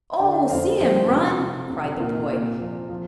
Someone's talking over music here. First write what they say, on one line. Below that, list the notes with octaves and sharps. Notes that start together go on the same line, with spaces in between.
"Oh, see him run!" cried the boy.
D3 D5 G5
F2 C5 F5
F3 G4 C5
C3
C3
C3
A#2 F4 A#4
A#2
F3
F3